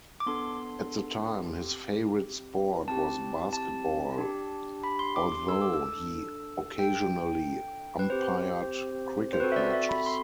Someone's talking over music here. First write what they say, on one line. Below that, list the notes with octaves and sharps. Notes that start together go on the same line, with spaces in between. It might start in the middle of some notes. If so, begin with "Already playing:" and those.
At the time, his favourite sport was basketball, although he occasionally umpired cricket matches.
D6
B3 D4 A4 C6
C4 G4
C4 E4 G4 A5
A5
D4 G4
B5
C6
D6
C6
D4 A4 E6
D6
E6
D4 A4 G5
B4
C4 G4 C5
C5
C4 F#4 A4 B4
E5
D5
E5
B5
C6